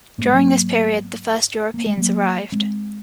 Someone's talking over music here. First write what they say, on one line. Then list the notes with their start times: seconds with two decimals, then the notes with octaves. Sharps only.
During this period the first Europeans arrived.
0.18 G#2 A#3
0.25 G#3
0.33 F#3 A#3
1.74 A#3
1.86 G#3
1.97 F#3 A#3
2.52 G#3 C4